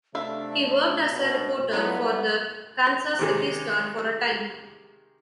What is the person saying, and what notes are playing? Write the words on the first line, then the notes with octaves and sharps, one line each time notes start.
He worked as a reporter for the "Kansas City Star" for a time.
C3 A3 D4 E5 F5
B2
F#3 G3 A3 B3 E4 F4
C3 D#3 G#3